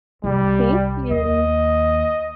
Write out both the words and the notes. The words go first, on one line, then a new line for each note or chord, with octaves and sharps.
Thank you.
C2 G3
D#2 D#5